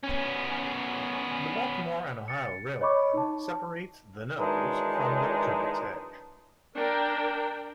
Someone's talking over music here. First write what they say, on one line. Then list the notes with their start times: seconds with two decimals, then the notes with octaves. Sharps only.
The Baltimore and Ohio Railroad separates The Nose from the Potomac's edge.
0.04 B3 C#4
2.28 A6 C#7
2.81 C#5 D#5 B5 C#6 D6
3.14 D#4 A5
4.39 D#3 E3 F#3 G#3 D4 D#4
6.76 D4 A#4 G5